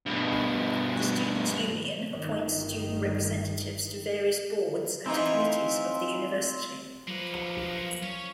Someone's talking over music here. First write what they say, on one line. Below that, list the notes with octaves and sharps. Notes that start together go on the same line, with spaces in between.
The students' union appoints student representatives to various boards and committees of the university.
G2 B2
G1 G2 D#3
E3 C4 D#4 F4
F3 F#3 A#3 B4
C#4 C#5